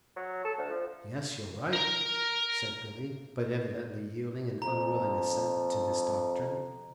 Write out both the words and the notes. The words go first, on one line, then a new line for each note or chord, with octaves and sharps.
"Yes, you're right," said Billy, but evidently yielding an unwilling assent to this doctrine.
F#3
A4
D2
F3
A#4 A#5
F2 A#5